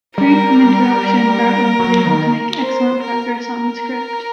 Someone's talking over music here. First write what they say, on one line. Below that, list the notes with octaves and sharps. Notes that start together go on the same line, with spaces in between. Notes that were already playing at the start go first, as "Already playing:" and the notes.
Freed from interruption, Bartlow is able to make excellent progress on the script.
G3 A#4
F#3
D#3
C5
A#4
A#4